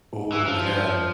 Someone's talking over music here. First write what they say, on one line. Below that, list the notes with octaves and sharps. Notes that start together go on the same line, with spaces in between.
Ooh, yeah.
E3
F3
F3